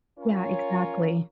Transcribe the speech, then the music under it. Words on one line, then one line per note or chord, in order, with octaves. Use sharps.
Yeah. Exactly.
C#4 F4 A#4 C#5